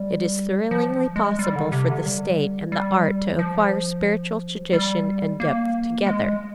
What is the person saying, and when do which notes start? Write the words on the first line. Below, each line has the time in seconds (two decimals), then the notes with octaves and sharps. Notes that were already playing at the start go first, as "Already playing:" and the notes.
It is thrillingly possible for the state and the art to acquire spiritual tradition and depth together.
Already playing: G3
0.71 F3
1.16 G#3
1.39 G3
1.56 D3
1.72 C3
1.89 D3
2.06 G3
2.72 G3
3.39 F3
4.73 G3
5.40 A#3
6.06 G#3